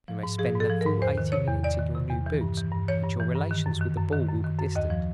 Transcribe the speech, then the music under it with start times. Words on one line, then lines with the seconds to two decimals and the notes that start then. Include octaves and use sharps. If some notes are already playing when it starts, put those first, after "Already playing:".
You may spend the full eighty minutes in your new boots, but your relations with the ball will be distant.
0.08 F3
0.23 G#2
0.39 F3 G#4
0.55 G#2
0.60 A4
0.70 F3
0.81 G#2 A#4
1.02 E2 C5
1.18 D#3
1.32 C3 C#5
1.48 E2
1.63 E2 D5
1.79 D#3
1.94 C3
2.10 E2
2.26 E3
2.41 G2
2.58 E3
2.72 G2
2.88 E3 C#5
3.04 G2
3.20 E3
3.35 G2
3.51 D#3
3.66 F#2
3.81 D#3
3.97 F#2
4.13 D#3
4.28 F#2
4.44 D#3
4.59 F#2
4.76 D#2 D#5
4.90 F3